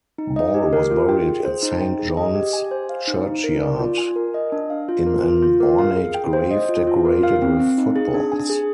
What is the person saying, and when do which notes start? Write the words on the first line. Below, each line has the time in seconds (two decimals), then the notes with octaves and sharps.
Ball was buried in Saint John's churchyard in an ornate grave decorated with footballs.
0.18 D#4
0.36 D#5
0.54 G4
0.73 A#4
0.91 F4
1.09 G5
1.27 G#4
1.45 C5
1.63 D#4
1.81 G5
1.99 G#4
2.17 D#5
2.35 G4
2.53 G#5
2.71 C5
2.89 F5
3.08 D#4
3.26 D#4
3.44 A#4
3.62 D5
3.79 F4
3.98 G#5
4.16 A#4
4.34 D#5
4.52 D4
4.70 F5
4.89 F4
5.06 A#4
5.24 F4
5.42 F4
5.60 A#4
5.79 F5
5.96 G#4
6.14 G5
6.33 C5
6.51 D#5
6.69 F4
6.87 F4
7.05 A#4
7.23 F5
7.42 C4
7.59 C4
7.78 D#4
7.96 G#4
8.14 D4
8.32 G#5
8.50 G#4